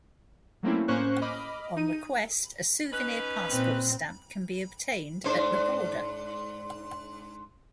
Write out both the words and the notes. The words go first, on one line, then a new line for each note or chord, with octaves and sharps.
On request, a souvenir passport stamp can be obtained at the border.
F#3 A3 A#3 C4 C#4 E4
A2 A#3 C#4 C5 C#6 F#6
D#5 B5 D6 F6
D#4 D#7
C#4 D#4 B4
A#2 C4
G#2 D4 C5